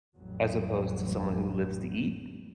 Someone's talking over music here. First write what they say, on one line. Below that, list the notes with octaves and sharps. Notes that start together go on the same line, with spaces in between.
as opposed to someone who lives to eat,
A1 F2 F#3 G3